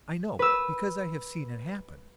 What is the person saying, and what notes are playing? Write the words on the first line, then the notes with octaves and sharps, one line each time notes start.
I know, because I have seen it happen.
B4 E6